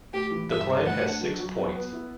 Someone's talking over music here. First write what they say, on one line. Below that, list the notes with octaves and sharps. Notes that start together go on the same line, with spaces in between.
The plan has six points.
A2 G4
E3
G2 E5
G2
A2 F#5
D4
F#3
F#3
B3
B3
E4